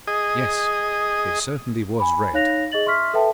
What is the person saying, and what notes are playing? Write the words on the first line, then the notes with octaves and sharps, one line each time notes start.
Yes! it certainly was red!
G#4 D#5
G#5 B5
D#4 C#5 F5 F#6 A#6 F7
G#4 D#5 A6 F#7
E5 C6 C#6 F6 B6
A4 B4 E5 G5 A5